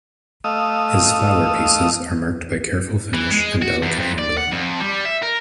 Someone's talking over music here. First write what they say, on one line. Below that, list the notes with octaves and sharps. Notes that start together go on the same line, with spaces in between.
His flower pieces are marked by careful finish and delicate handling.
A3 D#5 F5 D#6 E6
E3
G#3
F#4
E2
F2
D5
F#5
F2
G3
E5
A#4